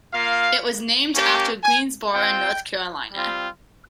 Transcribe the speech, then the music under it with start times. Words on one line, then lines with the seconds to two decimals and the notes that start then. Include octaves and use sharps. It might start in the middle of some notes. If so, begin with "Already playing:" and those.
It was named after Greensboro, North Carolina.
0.14 A#3 F4 F5
1.14 A#3 C#4 G4
1.63 G#5
2.13 C4 F4 G5
3.13 G3 C4 F4